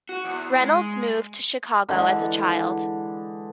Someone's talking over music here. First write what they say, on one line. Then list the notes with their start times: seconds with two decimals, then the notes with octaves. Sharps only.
Reynolds moved to Chicago as a child.
0.09 F#4
0.25 E2
0.60 G#3
1.89 D3 E3 G#3